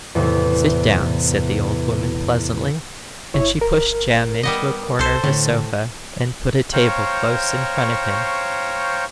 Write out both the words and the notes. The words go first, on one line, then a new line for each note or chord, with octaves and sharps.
'Sit down,' said the old woman pleasantly, and she pushed Jem into a corner of a sofa and put a table close in front of him.
E2 A2 C3 E3
G1 E4 C#5
A#4
G3 B3 D#5
C2 A4 C5
A2 D3
C5 C#5 F5 G5 A#5 C#6